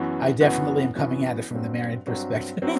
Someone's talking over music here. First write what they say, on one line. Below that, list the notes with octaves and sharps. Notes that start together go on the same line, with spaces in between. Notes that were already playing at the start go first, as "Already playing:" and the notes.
I definitely am coming at it from the married perspective,
Already playing: F#2 E3 B3 F#4
F#2 E3 B3 F#4
F#2 E3 B3 F#4
G2 F#3 C4
G2 F#3 C4
F#3 C4